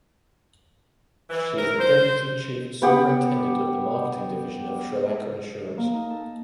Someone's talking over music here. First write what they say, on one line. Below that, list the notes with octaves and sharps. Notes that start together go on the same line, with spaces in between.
She is the Deputy Chief Superintendent of the Marketing Division of Sri Lanka Insurance.
E3
A#4
C5
B3 G4 F#5
A#3
D#4
A4